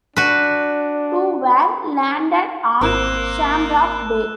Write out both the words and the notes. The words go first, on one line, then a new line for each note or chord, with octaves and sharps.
Two were landed on "Shamrock Bay".
D4 F#4 B4
G#1 A#3 C4 A#4 C5 E6 F#6 E7